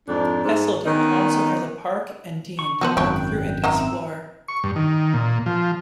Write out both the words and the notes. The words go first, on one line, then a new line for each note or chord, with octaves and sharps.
Hesleden also has a park and Dene to walk through and explore.
F2 G#2 D4
G#2
D#3 A#3 B3 C#4 D#4
C#6
F3 B3 F#4 A4 C5 F#5
G#1 F#2 E4 C#5 G5 F#6
A#3 C4 D#4 E5 A#5
C#6
G2
D#3
A#2
F3